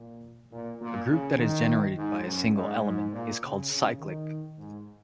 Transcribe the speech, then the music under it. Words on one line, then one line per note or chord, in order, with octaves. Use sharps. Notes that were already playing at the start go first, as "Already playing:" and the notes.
A group that is generated by a single element is called cyclic.
Already playing: A#2
A#2
A#2
C#3
D#3
G#2
F#2
G#2
G#2
A#2
C#3
C#3
D#3
G#2